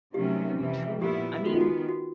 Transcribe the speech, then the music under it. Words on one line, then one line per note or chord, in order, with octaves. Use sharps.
Very true. I mean
C3 D#3 F#3 A3 C#4 G4
F2 C3 E3 G3
A#2 G3 B3 E4 G4
D#3 G#3 B3 F#4
F4
F#4
F#4